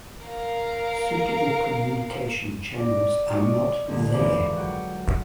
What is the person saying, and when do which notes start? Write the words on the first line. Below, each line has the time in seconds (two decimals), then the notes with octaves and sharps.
Suitable communication channels are not there.
0.24 A#4 F5
2.77 D5 A#6
3.33 D5 D#5 C#6
3.85 C2 G2 D3 C4
4.13 G#1 F2 E3 D5 B5 D6
4.55 F#3 F#4 F#5 G5 G6